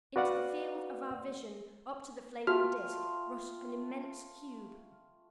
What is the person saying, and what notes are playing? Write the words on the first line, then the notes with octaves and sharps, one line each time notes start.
Into the field of our vision, up to the flaming Disk rushed an immense cube.
F#4 B4 D5 F5 F#5
A3 F4 F#4 G5 F6